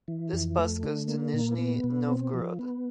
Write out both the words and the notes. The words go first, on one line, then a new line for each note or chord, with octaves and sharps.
This bus goes to Nizhniy Novgorod.
E3
F2
A3
D3
A#3
A#2
B3
B2
C4
F3
B3